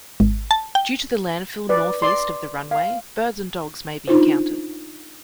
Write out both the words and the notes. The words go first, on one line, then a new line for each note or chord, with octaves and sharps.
Due to the landfill northeast of the runway birds and dogs may be encountered.
G#1
A5
G5
B4 D5
D5 C6
F5
D4 D#4 F4 C5